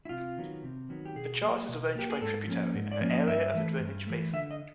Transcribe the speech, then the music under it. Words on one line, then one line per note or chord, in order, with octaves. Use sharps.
The chart is arranged by tributary and area of the drainage basin.
E4
C3 F4
D#3 F#3 B3
C3
D#3 F#3 B3
G4
B2 G#4
F#3 A#3
B2
F#3 A#3 G4
G#4
G#2 A4
F3 A#3 C#4
G#2
D5
F3 A#3 C#4
D#5
G2 E5
E3 A3
G2
E3 A3
D3 E5
D#5